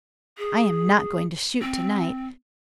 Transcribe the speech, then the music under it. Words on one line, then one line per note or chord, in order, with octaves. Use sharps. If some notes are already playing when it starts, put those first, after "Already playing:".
I am not going to shoot to-night.
G#4
C4